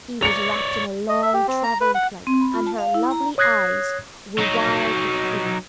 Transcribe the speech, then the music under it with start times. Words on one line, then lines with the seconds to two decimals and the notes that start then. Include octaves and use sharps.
She was wrapped in a long travelling cloak, and her lovely eyes were wild with fear.
0.23 C#5 D5 C#7 F7
1.09 D#5
1.22 E5
1.34 G4
1.48 C4
1.63 A#5
1.81 B4
1.95 F#5
2.27 C4
2.41 B5
2.54 F4
2.67 A5
2.78 F5
2.94 E4
3.11 A#5
3.38 C#5 D#6 F#6 G#6 A#6 C7
4.39 F#3 D#4